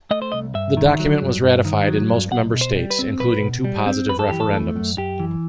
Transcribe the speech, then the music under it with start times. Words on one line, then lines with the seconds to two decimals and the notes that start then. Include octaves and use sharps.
The document was ratified in most member states, including two positive referendums.
0.11 A3 D#5
0.22 C5
0.32 C2 D#5
0.55 G2 E5
0.77 D#3
1.00 F#3
1.22 G2
1.43 G2
1.65 D#3
1.88 F#3
2.10 G2
2.31 B1 F#5
2.54 B2
2.61 C5
2.76 G3
2.90 B4
2.99 C4
3.20 B1 B4
3.42 B2
3.64 G3
3.86 C4
4.08 F#2 B4
4.19 A4
4.29 E3 G4
4.40 A4
4.53 A3
4.76 F#2
4.97 F#2 G4
5.20 E3